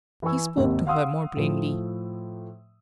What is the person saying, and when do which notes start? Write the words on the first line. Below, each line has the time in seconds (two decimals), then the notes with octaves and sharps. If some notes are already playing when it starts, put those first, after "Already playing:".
He spoke to her more plainly.
0.22 E3 E4 B4 G#5 C#6 E6
0.57 G#1 D#2 C3
0.87 F5 F#5 C6 D#6 E6
1.37 A2 F3